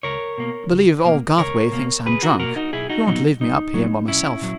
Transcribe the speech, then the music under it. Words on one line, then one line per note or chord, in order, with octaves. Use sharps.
"I believe old Garthwaite thinks I am drunk--he won't leave me up here by myself."
C#2 A#4 C#5
B2 A#3
C#2
B2 A#3
C#2 A#4 C#5
B2 A#3
C#2 G#4 B4
F#4 A#4
B2 A#3 F#4 A#4
D#4 F#4
B1 E4 G#4
D#4 F#4
A#2 F#3 B3 D#4 F#4
B1 D#4
A#2 F#3 B3
B1 C#4 E4
A#2 F#3